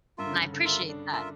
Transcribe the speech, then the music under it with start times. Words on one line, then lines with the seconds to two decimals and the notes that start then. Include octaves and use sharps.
And I appreciate that.
0.18 G2 F4 A#4 E5
0.26 D3
0.30 C#3
0.41 D3
0.54 D3
0.65 C#4 F4 A#4 E5
0.89 D4
1.12 F4 A#4 E5